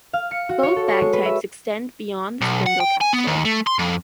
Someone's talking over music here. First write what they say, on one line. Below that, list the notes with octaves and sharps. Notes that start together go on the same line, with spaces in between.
Both bag types extend beyond the spindle capsule.
F5
C#7
F#4
C#5
A4
C#6
G#3
B4
E5
B1
F#5
G5
G#5
B3
D#2
A3
C6
F2